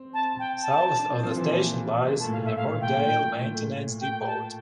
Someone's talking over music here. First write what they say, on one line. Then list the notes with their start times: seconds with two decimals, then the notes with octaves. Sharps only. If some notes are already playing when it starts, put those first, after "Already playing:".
South of the station lies the Mortdale Maintenance Depot.
Already playing: C4
0.14 A5
0.39 G5
0.63 A5
0.99 D4
1.11 C4
1.23 F3
1.36 E3
1.48 A#2
2.08 A#2
2.20 A5
2.24 A2
2.32 F5
2.45 E5
2.56 A2 F5
2.67 A#2
2.76 A2 G5
2.87 A#2
2.98 A2
3.07 A#2
3.18 A2
3.28 A#2
3.39 A2
3.54 A2
4.01 G5
4.26 A5